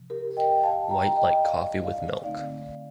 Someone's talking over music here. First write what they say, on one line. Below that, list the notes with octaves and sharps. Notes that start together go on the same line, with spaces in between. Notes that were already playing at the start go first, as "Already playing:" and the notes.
White like coffee with milk!
Already playing: C3 F3
G4 A#4
D#5 G5
F5 A5
G5 A#5
D#5 G5
D5 F5
D5 F5
D3 A3 C4 D#4 D5 F5